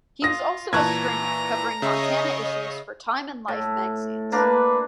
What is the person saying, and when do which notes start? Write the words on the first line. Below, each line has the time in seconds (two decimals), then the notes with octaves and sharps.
He was also a stringer covering Montana issues for Time and Life magazines.
0.22 F4 D#6 A#6
0.73 A#2 E3 A5 A#5 C#6 F#6 G#6
1.82 C#3 C#5 D#5 E5
3.48 A2
4.32 A#3 D4 B4